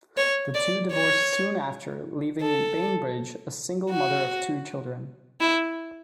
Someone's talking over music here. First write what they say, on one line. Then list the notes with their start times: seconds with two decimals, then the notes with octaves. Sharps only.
The two divorced soon after, leaving Bainbridge a single mother of two children.
0.17 C#5
0.55 D5
0.92 C#5
2.41 A4
3.90 F#4
5.40 E4